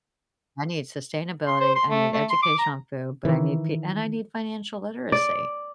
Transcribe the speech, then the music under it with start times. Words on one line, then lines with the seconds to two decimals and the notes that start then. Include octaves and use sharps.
I need sustainability, I need education on food, but I need p and I need financial literacy.
1.47 C6
1.60 C5
1.75 C6
1.90 A3
2.13 A3
2.30 C6
2.43 D6
2.59 A#5
3.25 D#3 E3
5.12 D5